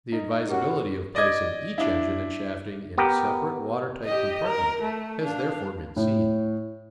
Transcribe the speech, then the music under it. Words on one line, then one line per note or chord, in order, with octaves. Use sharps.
The advisability of placing each engine and shafting in a separate water-tight compartment has therefore been seen.
D#4 D#5
C#4 F#4 G4 A#4 F#5
D5 D#5 D6 G#6
D4 E4
B3 G4 A#4 G5
G4 D#5
A#4
A3
D4 F5
A2